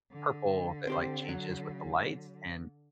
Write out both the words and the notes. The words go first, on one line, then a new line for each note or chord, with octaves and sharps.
purple that, like, changes with the lights, and
D3
C4 G4 C5
F#3